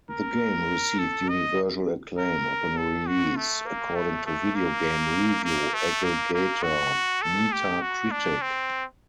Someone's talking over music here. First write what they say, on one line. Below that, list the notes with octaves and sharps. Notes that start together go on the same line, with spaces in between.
The game received "universal acclaim" upon release according to video game review aggregator Metacritic.
A#4
A4
D#5
A#4
A4
F#4
A3
A#3
A3
A3
A#3
A#3
A3
A#3
A#3
F#4
A4
G4
F#4
D4
C4